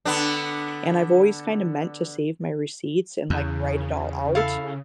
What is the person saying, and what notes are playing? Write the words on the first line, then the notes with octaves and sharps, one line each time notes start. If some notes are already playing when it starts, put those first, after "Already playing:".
and I've always kinda meant to save my receipts and, like, write it all out,
D3 B3 D4
E2 C#3
E4 A4 F5